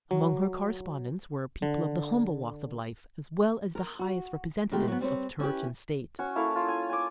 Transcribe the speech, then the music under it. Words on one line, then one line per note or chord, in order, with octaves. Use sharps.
Among her correspondents were people of the humble walks of life as well as the highest representatives of Church and State.
F#3
D3
A#4
F#4
B2 D#3 G#3 A3 F4 G4
F#3 B3
G3 C4 B4 C#5
C#4 E4 F#4 G4 B4
C#4 F#4 C#6
A#3 E4 A4 F5
F4
G#5
G#5 D6